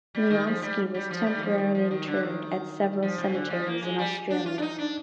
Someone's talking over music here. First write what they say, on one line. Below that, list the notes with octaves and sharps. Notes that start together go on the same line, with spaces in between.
Leonski was temporarily interred at several cemeteries in Australia.
G3
D#3
F3
G3
G3
F3
G3
D#3
F3
D#3
F3
D#3
D3
D#3
F3
C3
D3
F3
A#3
G#3
G3
D4
F4
D4
D#4
D4